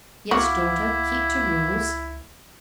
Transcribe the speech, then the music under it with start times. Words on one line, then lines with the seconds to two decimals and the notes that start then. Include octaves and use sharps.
"Yes, daughter; keep to rules."
0.31 C#2 E4 F#4 F5 F#5 D6